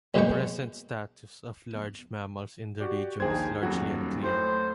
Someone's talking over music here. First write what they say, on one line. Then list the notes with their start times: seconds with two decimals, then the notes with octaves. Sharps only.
The present status of large mammals in the region is largely unclear.
0.14 F#2 B2 G#3 A#3 G5 C#6
2.80 F#4 G4 D5
3.20 A#1 D#2 D#4 G#4 C5 G5 G#6
3.63 D#1 F2 F#3 F#4
4.23 A2 C5